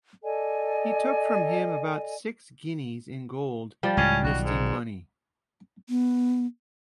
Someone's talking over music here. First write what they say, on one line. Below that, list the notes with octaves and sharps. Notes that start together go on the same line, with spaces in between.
He took from him about six guineas in gold, listing-money.
A4 D5 D#5 G#5
F3 G3
C#2 A2 C#4 D5 D#5 F5
B1 D#3 F#4
G#2
B3